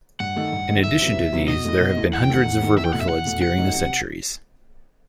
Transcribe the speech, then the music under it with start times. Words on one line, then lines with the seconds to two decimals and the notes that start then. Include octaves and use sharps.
In addition to these there have been hundreds of river floods during the centuries.
0.20 G2 F#5
0.35 D#3 A3 D#4
0.52 G2
0.68 D#3 A3 D#4
0.84 E2 E5
1.01 C3 F#3 B3 E4
1.17 E2
1.33 C3 F#3 B3 E4
1.48 B2 D#5
1.65 A3 E4
1.80 B2
1.97 A3 E4
2.13 E2 F#5
2.24 G5
2.29 D#3 A3 F#5
2.46 E2
2.61 D#3 A3
2.77 E2 E5
2.85 G5
2.93 B2 A3 F#5
3.01 E5
3.09 E2 F#5
3.25 B2 A3
3.42 C3 F#5
3.58 F#3 A3 D#4
3.74 C3